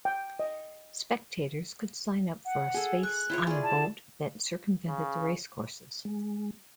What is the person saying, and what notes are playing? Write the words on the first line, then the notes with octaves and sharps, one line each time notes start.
Spectators could sign up for space on a boat that circumvented the race courses.
G5
D#5
F#5
G#4 A4
C#6 F#6
E4 F4 C#5
G#4 D5
A5
C#3
G#3